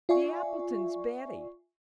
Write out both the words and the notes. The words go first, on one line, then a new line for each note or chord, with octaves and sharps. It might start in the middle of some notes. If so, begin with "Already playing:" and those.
The Appletons' Betty.
F4 D5 E5 G#5 C#6